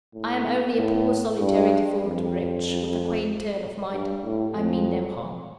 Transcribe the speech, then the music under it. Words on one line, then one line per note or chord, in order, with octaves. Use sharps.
I am only a poor, solitary, deformed wretch, with a quaint turn of mind; I mean no harm.
A2
A2
G2
F2
G2
A2
F2